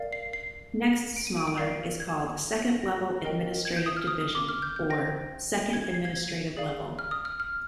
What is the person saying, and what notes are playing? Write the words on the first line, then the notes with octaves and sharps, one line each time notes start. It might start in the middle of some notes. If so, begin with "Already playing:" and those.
Next smaller is called "second-level administrative division" or "second administrative level".
Already playing: A#4 D5 F5
C7
C7
D7
D#7
D#7
D7
A#4 D5 F5 C7
G#6
A#6
A#4 D#5 G5
G#6
G6
D#6
F6
D#6
D#6
D6
F6
G6
G6
C5 G5 A#6
G#6
G#6
C7
G#6
G#4 D5 F5
F6
D#6
F6
F6